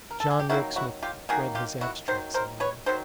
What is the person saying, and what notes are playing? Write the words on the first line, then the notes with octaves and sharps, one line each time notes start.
John Rokesmith read his abstracts aloud.
A#4
A4
G#4
G4
D#3 F#3 A#3 E4 F#4
E4 F#4
F4 G4
D#3 F#3 A#3 F#4 G#4
F4 G4
E4 F#4
D#3 F#3 C5
A#4 C5
B4 C#5
D#3 F#3 C5